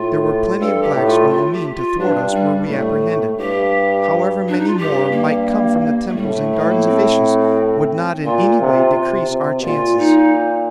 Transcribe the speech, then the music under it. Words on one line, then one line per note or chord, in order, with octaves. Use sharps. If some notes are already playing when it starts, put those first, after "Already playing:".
There were plenty of blacks on Omean to thwart us were we apprehended; however many more might come from the temples and gardens of Issus would not in any way decrease our chances.
Already playing: A2 F4
G2 A4
G4
A2
F4
F4
G4
F4
G2 D4
G3
A2 A3
G2 G4
D4
D#4
F4
G2 G4
A#3
A3
A2 G3
A3
A3
A#3
C4
A#2 F4
C3
C3
C3
A#2 F4
D#4